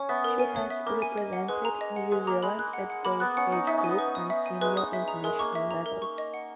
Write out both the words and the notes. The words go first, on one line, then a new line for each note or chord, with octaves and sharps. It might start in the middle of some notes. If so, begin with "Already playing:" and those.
She has represented New Zealand at both age group and senior international level.
Already playing: C#4 C#5
B3 E5
A#4
G#5
C#5
E5
A#3 A#4
G#5
D#5
F#5
G#3 B4
A#5
D#5
F#5
G#3 B4
A#3 A#5
G#3 B5
F#6
F#5
F#5
A#3 B5
B3 F#6
C#4 F#5
D#4 F#5
D#4 E5
C#4
B3 G#5
B4
D#6
E5
G#5
G#3 B4
D#6
E5
A#5
G#3 A#4
A#3 C#6
E5
A#5
A#4
C#6
D#5
F#5